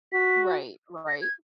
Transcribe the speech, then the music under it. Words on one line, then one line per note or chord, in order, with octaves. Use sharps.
Right. Right.
F#4 B6
A#6
G#6